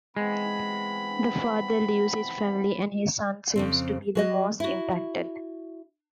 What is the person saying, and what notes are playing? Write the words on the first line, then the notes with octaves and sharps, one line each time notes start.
The father leaves his family and his son seems to be the most impacted.
E3 G#3 B3 C4 B5
F2 C#3 C4
F#3 F#4 D#5
E4 F#4